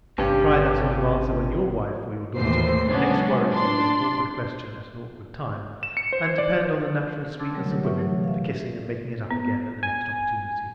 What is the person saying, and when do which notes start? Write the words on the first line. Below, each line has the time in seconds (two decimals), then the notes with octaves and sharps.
Try that sort of answer when your wife or your daughter next worries you with an awkward question at an awkward time, and depend on the natural sweetness of women for kissing and making it up again at the next opportunity.
0.18 G#1 G2 C3 C#4 G4
2.37 D#2 A2 E3 C5 C7
2.90 C#3 F#3 G#3 B3 C#4 D4
3.50 D4 C6
5.83 E7
5.97 C#7
6.13 C5
6.38 D5
7.40 A5 C6 D6 E6 G#6 A6
7.54 D3 F#3 G3 A3 A#4 C#5
7.70 F#3 D#4 G4 C#5
7.83 A#4 B4 C#5 E5 C#6
7.98 C3 E3 F#3 A3
8.24 E5 F5
9.31 B3
9.83 G#5